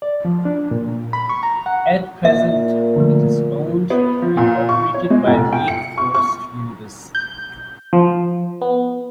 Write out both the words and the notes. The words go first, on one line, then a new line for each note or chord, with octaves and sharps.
At present, it is owned and operated by Wake Forest University.
D5
F3
D4
A#2
B5
C#6
A#5
F#5
A#2 A#3 E5
D3 F3 A3
B3
F3
A#2
C#6
C#5
G#3
F1
G5
C#7
C#6
C#6
G6
F3
B3